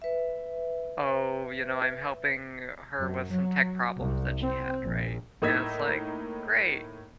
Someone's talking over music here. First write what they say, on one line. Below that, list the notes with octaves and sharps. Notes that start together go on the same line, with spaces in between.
oh, you know, I'm helping her with some tech problems that she had, right, and it's, like, great,
B4 E5
F#2
F#3
C2
C4
A#1
A2 A#3 D#4 E6 G#6 B6